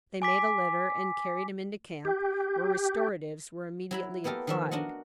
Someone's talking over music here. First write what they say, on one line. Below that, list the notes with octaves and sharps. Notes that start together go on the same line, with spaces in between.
They made a litter and carried him into camp, where restoratives were immediately applied.
G#5 D6 B6
G4
F#3 E4 B5
A#3 B3 G4 A4 A#4
D#3 F3 E5
D4 F#4 A#4 D#5 F#5